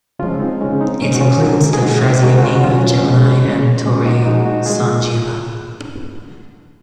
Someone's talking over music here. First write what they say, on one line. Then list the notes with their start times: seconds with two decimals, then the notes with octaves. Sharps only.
It includes the "frazioni" of Gemini and Torre San Giovanni.
0.19 C#3 F3 G#3 C#4 F4
0.40 C4 D#4
0.61 C#3 G#3 C#4
0.80 C4 D#4
1.01 A#2 G#3 C#4
1.15 F#4
1.21 C#4 F4
1.41 C#3 F3 G#3 F#4 A#4
1.73 G#4
1.82 A#2 G#3 D#4 F#4
2.23 C#3 G#3 F#4 A#4
2.38 F#4
2.43 C#4 F4
2.55 F#4
2.63 C3 F#3 C#4 F4
2.84 C#4
3.04 C#3 F3 G#3 C#4
3.45 C#3 G#3
3.85 A#2 G#3 C#4
4.05 D#4 F#4
4.26 A#2 F3 G#3 D#4 F#4
4.46 D#4 F#4
4.66 C#3 G#3 F4 G#4